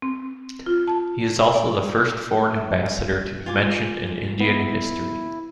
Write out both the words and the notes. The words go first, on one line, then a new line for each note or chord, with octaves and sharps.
He is also the first foreign Ambassador to be mentioned in Indian history.
C4
F4
A5
D5
E5
F4 G#5 D6
B3 E4